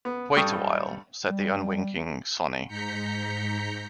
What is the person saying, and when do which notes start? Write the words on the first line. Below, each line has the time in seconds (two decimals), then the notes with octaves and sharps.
"Wait a while," said the unwinking Sonny.
0.05 B3
0.37 G2 G3 A4 G5 C#6 D#6
1.28 G3
2.68 G#2 A#5 G6 B6 C#7